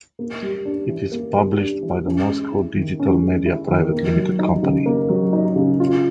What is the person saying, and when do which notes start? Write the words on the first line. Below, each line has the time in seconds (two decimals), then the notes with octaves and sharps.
It is published by the Moscow Digital Media private limited company.
0.19 A#3
0.42 G3
0.65 D4
0.89 E3
1.12 A#3
1.35 G3
1.59 D4
1.83 E3
2.05 C#4
2.29 G#3
2.52 E4
2.75 D#3
3.00 C#4
3.23 G#3
3.46 E4
3.70 D#3
3.92 A#3
4.16 F#3
4.39 D#4
4.63 C#3
4.86 A#3
5.09 F#3
5.33 D#4
5.56 C#3
5.80 F4